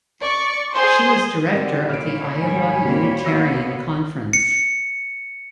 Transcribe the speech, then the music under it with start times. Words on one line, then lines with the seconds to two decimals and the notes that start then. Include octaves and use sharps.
She was director of the Iowa Unitarian Conference.
0.21 D5 C#6
0.72 G#4 C5 C6
1.52 D3 C4 F#4 G4 A#4 D5
1.89 A#2 C#5 B5 F6 D7
2.40 D#2 G#2 G3 G#5
2.85 D#2 A#2 G3 A#3 C4 F#4
3.25 D3 A#3 B3 F5 E6 A#6
4.33 C#7